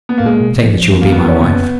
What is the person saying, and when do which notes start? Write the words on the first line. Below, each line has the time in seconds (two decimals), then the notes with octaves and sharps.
"Say that you will be my wife."
0.09 B3
0.18 G#2 A#3
0.25 A#2 G#3
0.40 B2
0.55 C#3
0.64 F3
0.74 F3
1.01 A#3
1.12 D#3 B3
1.22 F3
1.29 D#3 C#4
1.40 C#3 B3
1.55 F2